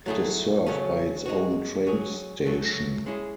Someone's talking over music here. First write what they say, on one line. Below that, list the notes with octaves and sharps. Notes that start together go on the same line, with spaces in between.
It is served by its own train station.
F#3 A3 E4 G#4
C#3 F#3 A3 C#4
G#3 D#4 F#4
F#3 C#4 G#4
C#3 F#3 A3 C#4
G#3 C#4 E4 G#4